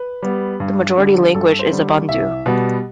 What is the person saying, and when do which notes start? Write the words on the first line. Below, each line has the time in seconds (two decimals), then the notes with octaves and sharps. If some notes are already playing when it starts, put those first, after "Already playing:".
The majority language is Umbundu.
Already playing: B4
0.23 G3 B3
0.60 G2
0.98 D3 G3
1.35 G2 A4
1.59 C5
1.71 D3 G3
2.09 C2 E5
2.46 B2 G3 B3